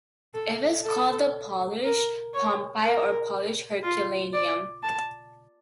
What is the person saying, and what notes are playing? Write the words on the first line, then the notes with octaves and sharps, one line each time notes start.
It was called the "Polish Pompeii" or "Polish Herculaneum".
A4
A4
A#4
C#5
A#4
F4
D5
A5